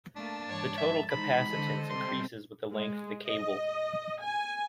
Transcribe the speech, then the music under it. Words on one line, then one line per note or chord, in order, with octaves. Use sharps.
The total capacitance increases with the length of the cable.
A3 A#3 D4 A5
G#2 E3 C#5 D5
F3 E5
E3 G#3 D#4 C5 B5
D3 A4 C5 D#5
C3 G3 C4 C6
G#3
D#5
G#5